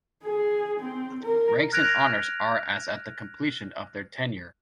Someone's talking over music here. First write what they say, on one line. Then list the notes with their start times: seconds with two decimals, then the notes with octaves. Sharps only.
Ranks and honours are as at the completion of their tenure.
0.23 G#4
0.80 C4
1.24 A#4
1.72 F6 F#6 G#6 A#6 D7 F7